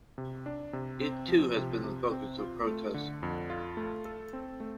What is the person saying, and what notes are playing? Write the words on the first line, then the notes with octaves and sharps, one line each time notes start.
It, too, has been the focus of protests.
C3
D4
C3
C4
F3
C3
C3
C4
F4
A3
D3
F2
F4
A3
A4
C4
A3